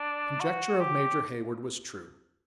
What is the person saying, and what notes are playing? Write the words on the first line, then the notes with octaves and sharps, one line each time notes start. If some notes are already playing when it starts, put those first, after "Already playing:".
The conjecture of Major Heyward was true.
Already playing: D4
F#4
G4